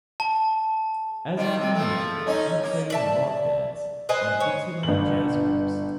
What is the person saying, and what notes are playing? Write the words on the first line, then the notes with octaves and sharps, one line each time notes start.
As a teenager, he played in rock bands and dixieland jazz groups.
A5
D#3 G3 F4
C3 C4
F3 A3
C#4 D#4
A#3
D5 E5 A5
B4 C5 D#5 G#5
C#5
G1 F#7